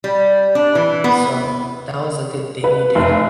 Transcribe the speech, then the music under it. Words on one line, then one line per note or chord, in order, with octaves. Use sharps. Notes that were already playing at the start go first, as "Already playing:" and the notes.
So that was a good thing you did.
G3
D4
E3
B3
B4
F1